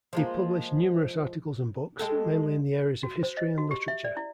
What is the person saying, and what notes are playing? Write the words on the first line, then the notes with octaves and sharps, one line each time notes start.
He published numerous articles and books, mainly in the areas of history and literature.
F3 G#3 A#3
G#3 G4 A4
F#4
C5
D#5
F#4
G4
E5
D5
E4